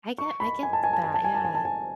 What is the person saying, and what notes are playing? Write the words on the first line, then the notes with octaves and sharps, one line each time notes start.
I get I get that. Yeah.
C#6
B5
G#5
A5
G#5
A5
G#5
A5
G#5
A5
G#5
A5
G#5